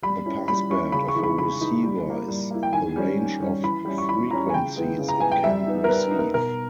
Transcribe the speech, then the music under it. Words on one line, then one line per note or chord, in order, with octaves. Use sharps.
The passband of a receiver is the range of frequencies it can receive.
G3 B5
C#4 E4
G3 B5
C#4 E4 C#6
C#3 B5
C#6
E3 G#3 D#4
B5
C#3 B5
E3 G#3 D#4
G3
A#3 E4
G3
A#3 E4
G5
D#3 G#5
G3 C#4
D#3
G3 C#4
E3 B5
G3 C#4 E4
C#6
E3 B5
G3 C#4 E4 A#5
G#5
C#3 G5
G#3 B3 E4
C#3
A#5
G#3 B3 E4 G#5
G5
G3 E5
B3 D#4
A#4
G3 B4
B3 D#4
A#4
B2 A#4